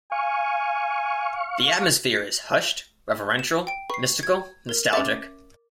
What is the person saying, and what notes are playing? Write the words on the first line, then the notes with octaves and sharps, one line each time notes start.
The atmosphere is hushed, reverential, mystical, nostalgic.
F5 G#5 C#6
E7
G5 D7
B4 C#6 C7
G#6
A#4
C#4 E5 D6 A6